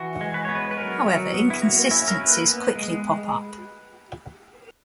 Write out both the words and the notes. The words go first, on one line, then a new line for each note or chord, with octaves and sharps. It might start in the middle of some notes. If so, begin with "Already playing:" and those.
However, inconsistencies quickly pop up.
Already playing: E3 F#4
G#3
B4
B3 C#5
B4
B4
F#3 A#4
F#3
B3
E4
A#3 F#4
C#4 E4
A#4
A#3 B4
B3
G#3